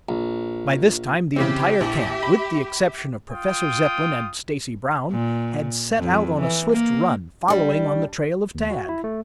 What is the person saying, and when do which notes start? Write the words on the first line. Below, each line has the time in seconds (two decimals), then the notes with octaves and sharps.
By this time the entire camp, with the exception of Professor Zepplin and Stacy Brown, had set out on a swift run, following on the trail of Tad.
0.09 A#1
1.36 C#3 E3 C4 G4 E5
1.81 A#1 E4
2.23 B5
3.31 F4 G5 D#6
5.11 A#2
5.98 F2
6.40 E3
6.72 A#3
7.48 G3 D4
8.55 D#2
8.71 F#4
8.89 E4
9.04 A3